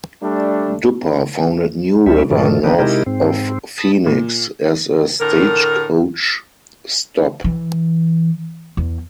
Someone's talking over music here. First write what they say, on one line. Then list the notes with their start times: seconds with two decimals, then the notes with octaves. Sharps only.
Duppa founded New River, north of Phoenix, as a stagecoach stop.
0.22 G3 A3 D4
2.06 D2 G3 C#4 E5
2.31 G2 A#2 D3 D#3 F3 A3
2.64 D3 E3 F3 B3 D4 D#4
2.79 C3 G#3 D#4 E4 G4 A#4
3.06 G#2 C4
3.78 A5 B5 D#6
4.06 A#2
5.19 A2 D3 A#4
7.44 E3
8.77 E2